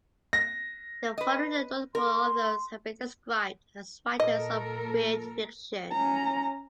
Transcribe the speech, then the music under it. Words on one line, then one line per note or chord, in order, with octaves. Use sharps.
The following notable authors have been described as writers of weird fiction.
A#6
B4 D#5
A#4 C6
A#2 A4 A#4 D#5
C#4 A#5